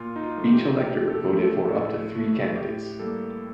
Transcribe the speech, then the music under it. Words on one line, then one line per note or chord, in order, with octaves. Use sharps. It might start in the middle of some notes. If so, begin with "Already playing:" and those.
Each elector voted for up to three candidates.
Already playing: A#2 F4
D#4
F4
F3 A3
G4
A#2 G4
A4
F3 A3
A4
A2
A3
A2 G4
G3 A#3 A4